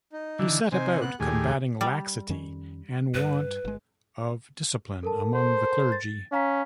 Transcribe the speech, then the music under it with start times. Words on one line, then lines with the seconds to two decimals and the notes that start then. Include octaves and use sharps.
He set about combating laxity and want of discipline among the clergy.
0.12 D#4
0.39 D3 E3
0.72 C3 D#4 C5 G#5
1.01 B3 F#6
1.20 D#2 A2 G4 G#4 G#5
1.81 G3
2.29 F2 D#3 C#4
3.15 G2 B4
3.65 G1 G#3
5.03 A4 A#4 A5
5.35 C5
5.92 A6
6.32 C#4 F5 A#5 B6